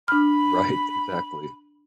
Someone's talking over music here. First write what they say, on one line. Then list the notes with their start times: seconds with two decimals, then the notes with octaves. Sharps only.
Right, exactly.
0.08 D4 B5 F6